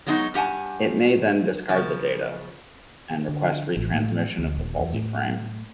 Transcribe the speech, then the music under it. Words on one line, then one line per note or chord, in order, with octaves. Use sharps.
It may then discard the data, and request retransmission of the faulty frame.
F#3 G#3 B3 D4 D#4 F#4
G2 G4 F#5 G#5 A5
C#3 F3
D3
A1
A2
D2
D#1
E2
A2